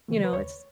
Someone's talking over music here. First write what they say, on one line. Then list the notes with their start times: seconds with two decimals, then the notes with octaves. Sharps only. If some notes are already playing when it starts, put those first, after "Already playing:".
You know, it's
0.08 C#3 E3 A3
0.24 B4
0.33 D#2 C#5